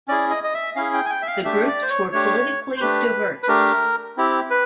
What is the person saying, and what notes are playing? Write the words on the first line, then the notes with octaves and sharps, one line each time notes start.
The groups were politically diverse.
C#4 E4 G#4 D5
D#5
D#5
E5
C#4 E4 G#4 F5
G5
G#5
G5
E5
F5
A3 D4 G4 E5
D5
C5
C#5
A3 D4 G4 C#5
C5
A3 D4 G4 B4
B4
A3 D4 G4 A#4
C4 E4 G4
B4